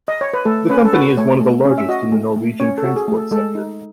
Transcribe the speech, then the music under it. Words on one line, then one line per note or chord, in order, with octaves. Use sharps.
The company is one of the largest in the Norwegian transport sector.
D#5
C#5
B4
A3 A4
C#4 B4
A4
F#4 B4
A3 C#5
A3
C#4
E5
F#4 D#5
A3
A3
C#4 C#5
A4
F#4
G#4
A3
A4
G#3 A4
D#4